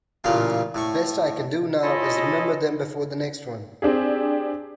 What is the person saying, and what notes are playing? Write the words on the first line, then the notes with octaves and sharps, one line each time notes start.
The best I can do now is remember them before the next one.
A1 A#2 C#3 F4 F5
A2 C#6
C#4 E4 F4 A4 D#5
C4 D4 G4 G#4